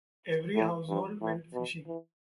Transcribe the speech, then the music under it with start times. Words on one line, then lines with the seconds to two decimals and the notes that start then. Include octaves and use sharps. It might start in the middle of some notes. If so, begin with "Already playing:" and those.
Every household went fishing.
0.56 A2
0.89 G2
1.21 A2
1.53 B2
1.87 E3